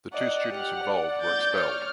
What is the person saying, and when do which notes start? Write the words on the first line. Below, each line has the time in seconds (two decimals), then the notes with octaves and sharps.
The two students involved were expelled.
0.13 D5 D#5 F#5
0.50 G4 F6
0.84 D5
1.22 G6 A6
1.56 C#5 F6